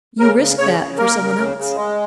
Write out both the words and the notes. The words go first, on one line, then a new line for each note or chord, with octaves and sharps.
"You risk that for some one else."
C#3 A#4
C#3
C#3 C#5
C#3
A#3 A#4
C#3
C#3
C#3
G#3